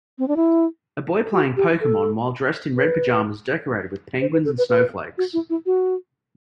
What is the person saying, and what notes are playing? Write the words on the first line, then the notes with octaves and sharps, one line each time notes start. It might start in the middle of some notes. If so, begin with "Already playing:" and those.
A boy playing Pokemon while dressed in red pajamas decorated with penguins and snowflakes.
C4
D4
E4
F#4
G4
A4
B4
C5
B4
A4
B4
B4
F#4
E4
E4
F#4